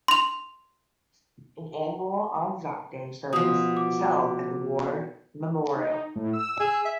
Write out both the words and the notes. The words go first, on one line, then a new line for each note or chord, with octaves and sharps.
An annual Anzac Day service is held at the war memorial.
C6 F7
B2 F3 D#6
D6
D#4
A2
E6
G#4
E5